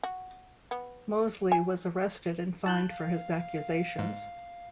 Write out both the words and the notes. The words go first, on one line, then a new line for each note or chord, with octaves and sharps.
Moseley was arrested and fined for his accusations.
F#4
B3
G#5
E4 A5 F#6 G6
F5
G#2